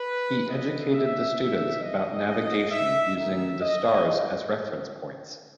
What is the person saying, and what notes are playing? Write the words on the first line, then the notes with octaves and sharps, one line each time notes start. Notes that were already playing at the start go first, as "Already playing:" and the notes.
He educated the students about navigation using the stars as reference points.
Already playing: B4
F#3 C#4 E4 D#5
E5
E3 B3 D#4 E5
D#5
F#3 C#4 E4 D#5
E5
D#3 A3 D#4 E5
D#5